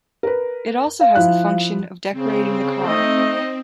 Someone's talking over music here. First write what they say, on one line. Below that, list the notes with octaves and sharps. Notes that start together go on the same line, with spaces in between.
It also has the function of decorating the car.
A#4 B4
F5
F3 E4 F#6
C#3 C4
A3 D#4 D#5